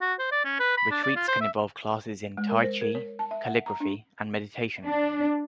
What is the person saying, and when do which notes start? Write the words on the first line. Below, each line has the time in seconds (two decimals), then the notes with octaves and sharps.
Retreats can involve classes in t'ai chi, calligraphy and meditation.
0.01 F#4
0.19 C5
0.31 D5
0.44 C#4
0.59 B4
0.77 B5
0.91 D4
1.03 D5
1.16 F4
1.28 C5
1.41 E5
2.37 G#3
2.49 A#4
2.63 C5
2.81 A#4
2.95 C#5
3.19 A5
3.31 E5
3.45 F#5
3.66 A#5
3.80 D4
4.85 D4